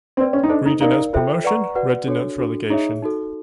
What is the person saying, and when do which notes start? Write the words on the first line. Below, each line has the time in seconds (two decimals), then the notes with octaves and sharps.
Green denotes promotion, red denotes relegation.
0.17 C4 B4 D5 G5 C6
0.33 C#4
0.43 D#4
0.49 D4 A4 C5 D#5
0.66 D#4
0.81 D#4 A#4 D5 F5
1.13 F4 A4 C5 E5 G5
1.44 B4 D5 F#5 A#5 C#6
1.75 F#4 B4 D5 F#5
2.07 D4 F#4 A4 C#5
2.39 D4 F#4 A4
2.70 D#4 G#4 C#5 E5
3.02 D#4 F#4 A4